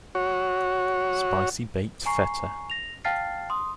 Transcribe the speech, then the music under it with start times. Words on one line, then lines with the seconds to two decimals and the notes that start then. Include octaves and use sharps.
Spicy baked feta.
0.15 F#4 C#5
2.06 G#5 A#5 C#6 C7
2.70 A#6 F7
3.05 F5 G5 A5 F6 A6 C7
3.50 C6 D#6